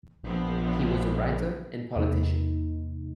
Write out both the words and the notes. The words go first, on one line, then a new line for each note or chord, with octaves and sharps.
He was a writer and politician.
A#1 F3 B3 C4
E2 C3 A#3 D#4